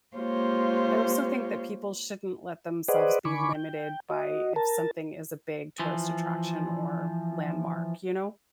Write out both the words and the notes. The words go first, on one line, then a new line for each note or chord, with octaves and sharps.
I also think that people shouldn't let themselves be limited by if something is a big tourist attraction or landmark, you know?
G#3 A#3 F4 G4 C5 C#5
G#4 B4 C5 D5 D#5 F#5
D3 G#5 B5 C#6 D6
G5
F#4 D#5
A#4 A5
E3 F3